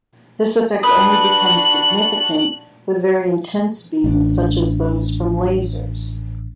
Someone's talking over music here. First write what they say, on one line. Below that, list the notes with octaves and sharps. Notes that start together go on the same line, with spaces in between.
This effect only becomes significant with very intense beams such as those from lasers.
D4 F#4 B4 D#6 F#7
A1 D4